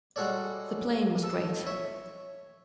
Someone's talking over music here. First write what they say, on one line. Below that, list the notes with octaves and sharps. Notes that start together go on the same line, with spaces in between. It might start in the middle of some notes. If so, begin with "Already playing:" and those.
The playing was great.
G3 G#3 F#4 A4 C#5 D5
A4 A5
C#5 E5